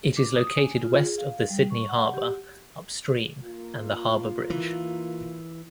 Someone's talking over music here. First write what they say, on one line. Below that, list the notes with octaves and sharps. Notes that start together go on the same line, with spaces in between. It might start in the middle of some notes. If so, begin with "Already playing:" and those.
It is located west of the Sydney Harbour upstream and the Harbour Bridge.
D6
D#6
G#5
F4
G#4
F5
G3
C#6
F#5
G4
A#3 F4
E3